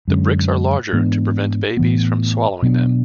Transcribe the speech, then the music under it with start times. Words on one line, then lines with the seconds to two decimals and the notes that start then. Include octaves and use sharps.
The bricks are larger to prevent babies from swallowing them.
0.08 F#2 D3 G#3 C#4
0.93 G#2 E3 B3 D4
1.77 A2 E3 B3
2.62 B2 F#3 B3 D4